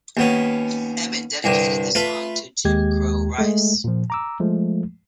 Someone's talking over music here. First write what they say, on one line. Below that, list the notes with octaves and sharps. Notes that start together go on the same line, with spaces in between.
Emmett dedicated the song to "'Jim Crow' Rice".
D#2 B3 C#4
C2 G2 D3
A3 F4 B4
D#2 G#3 G4 G#6
G#3 A3
A#2 F3
A#5 D6 E6
F3 G#3 A3